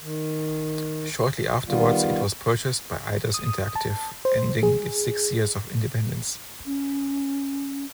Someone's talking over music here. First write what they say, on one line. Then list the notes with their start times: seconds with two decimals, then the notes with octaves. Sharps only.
Shortly afterwards, it was purchased by Eidos Interactive, ending its six years of independence.
0.01 D#3
1.68 D#3 G3 B3 F4
3.34 D#6
3.76 A5
4.25 C5
4.63 G#4
6.66 C#4